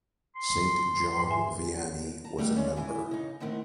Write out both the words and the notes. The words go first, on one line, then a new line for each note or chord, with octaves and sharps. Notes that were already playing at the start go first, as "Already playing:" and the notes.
Saint John Vianney was a member.
C6
G#2 B4
E5 G#5
A5 A#5
D#3 G3 A3 B3 D4
G#3 C#4 D5
E2 E3 E4 G#5
C#3 D#4
D#2 A2 D#3 B3 C4